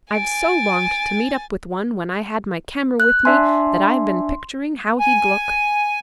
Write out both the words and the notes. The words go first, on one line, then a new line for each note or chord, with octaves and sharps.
I've so longed to meet up with one when I had my camera with me that I've been picturing how he'd look.
G#5 A6 D7
F#6
D4 E5 G#5 C6
G#5